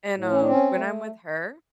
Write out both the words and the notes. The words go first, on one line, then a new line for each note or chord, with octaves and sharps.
And, um, when I'm with her,
A2
C#4
D4
C4 C#4
A3